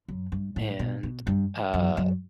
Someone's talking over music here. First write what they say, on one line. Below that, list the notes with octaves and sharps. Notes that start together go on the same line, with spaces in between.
and, uh
F#2
G2
A2
B2
B2
G2
F#2
F#2